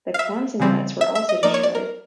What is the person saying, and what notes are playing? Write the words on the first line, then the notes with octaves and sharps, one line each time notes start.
The Quonset Huts were also destroyed.
F5
E5
C#3 E3 G3 C4
E5
E5
D#5
F3 A#3 D#4 D5
C#5
D5
A#4